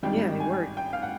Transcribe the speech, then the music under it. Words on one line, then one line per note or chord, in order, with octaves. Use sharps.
yeah, it worked,
G#1 G2 D#3 G3 G5
G#5
G5
F5
F#5